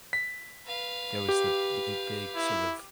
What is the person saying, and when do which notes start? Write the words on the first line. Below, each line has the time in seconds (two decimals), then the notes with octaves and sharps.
there was the big big, sort of,
0.13 B6
0.66 B4 F5
1.29 G4
2.36 E4